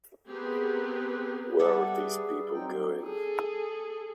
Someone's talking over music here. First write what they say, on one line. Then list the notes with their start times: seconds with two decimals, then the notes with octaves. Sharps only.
Where are these people going ?
0.29 B3 C4 G4 G#4 A#4 B4
1.59 G3 A4 B4 D5 E5 F#5
1.93 G#4
2.54 F#3 C4 D#4 G5
3.02 G#4 A4